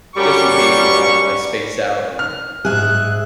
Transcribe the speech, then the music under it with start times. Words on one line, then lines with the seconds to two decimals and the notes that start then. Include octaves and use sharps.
just in case, you know, I I space out and,
0.17 F#2 G3 C#6
2.19 F6
2.65 G#2 G#4 E5 F#6